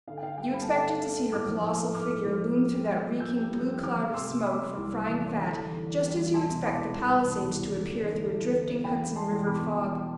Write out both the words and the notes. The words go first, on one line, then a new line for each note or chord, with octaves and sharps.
You expected to see her colossal figure loom through that reeking blue cloud of smoke from frying fat just as you expect the Palisades to appear through a drifting Hudson River fog.
D3 F5
G5
D3 F5
G2 G5
D3 B5
A5
D3 G5
F5 A5
A3
A3
G2
A2 D6 F6
F3
A2
A3
A2 D6 F6
A2
F3
A2
F2
G3
G3
F2
F2 E6 G6
G3
F2
G3
F3 D6 F6
F3
C3 C6 E6
C3
C3 B5 D6
C3
C2
C2
E2
E2
D3
E2
D3
E2
G3
E2
C2 A5 C6
B2
C2 B5 D6
C2
C2
C2
B2
C2
E2
D3
E2
D3
A3
E2
D3
A3
E2 G5 B5
G3
G3 A5 C6
E2
B2 B5 D6
B2
E2